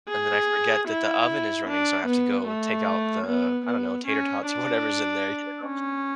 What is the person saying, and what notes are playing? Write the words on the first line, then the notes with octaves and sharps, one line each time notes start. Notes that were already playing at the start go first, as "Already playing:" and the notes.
and then I forget that the oven is running, so, I have to go take out the, I don't know, tater tots or whatever's in there, you know?
G#4
E4
D4
B3
A3
B3
B3
C#4
D4
C#4